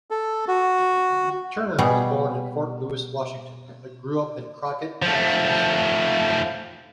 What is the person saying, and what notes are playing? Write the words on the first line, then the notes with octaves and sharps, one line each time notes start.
Turner was born in Fort Lewis, Washington, but grew up in Crockett, Texas.
A4
F#4
B2 G3 G#4
F3 A3